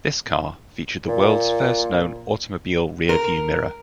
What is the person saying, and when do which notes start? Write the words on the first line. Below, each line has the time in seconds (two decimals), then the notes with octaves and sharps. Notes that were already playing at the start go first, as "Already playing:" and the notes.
This car featured the world's first known automobile rear-view mirror.
1.08 A#2
3.09 A#4